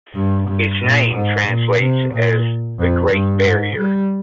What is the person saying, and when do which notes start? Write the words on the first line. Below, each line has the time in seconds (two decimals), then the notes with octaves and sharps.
Its name translates as "the Great Barrier".
0.15 G2
0.48 G2
0.81 A#2
1.14 G#2
1.47 A#2
1.80 C3
2.13 A#2
2.79 F2
3.12 G2
3.45 G#2
3.77 G3